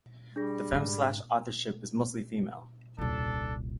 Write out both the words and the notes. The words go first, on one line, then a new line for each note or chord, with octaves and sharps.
The femslash authorship is mostly female.
G3 D4 G#4 A#6
G#2 C#3
D#1 C2 D4 A4